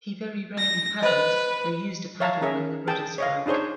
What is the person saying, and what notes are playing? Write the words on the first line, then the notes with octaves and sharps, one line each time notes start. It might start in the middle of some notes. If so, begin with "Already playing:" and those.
He very rarely paddled, though used a paddle when rudders broke.
A#6
B4 C5 D#5
C#5 E5 F5 A5 A#5
C#4 G#4 A#4 E5
G#4 G5 A5
C#5 D#5 F5
D4 D#4 G#4 C5 C#5